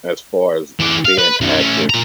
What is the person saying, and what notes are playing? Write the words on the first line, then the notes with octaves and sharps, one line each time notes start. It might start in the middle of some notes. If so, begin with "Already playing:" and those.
as far as being active,
E3 D5
F5
B4
F#2 D#3
A3 C#4
A#2 A#5